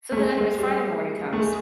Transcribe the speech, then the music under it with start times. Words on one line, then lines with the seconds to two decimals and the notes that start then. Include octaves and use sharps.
So then anyways, Friday morning comes
0.12 A3
0.17 G#3
0.38 G#3
0.58 G3
1.33 A3
1.40 G#3